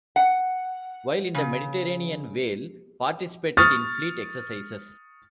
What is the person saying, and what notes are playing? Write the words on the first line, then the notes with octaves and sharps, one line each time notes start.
While in the Mediterranean Whale participated in fleet exercises.
F#5
C#3
C#6 D#6 F6 A6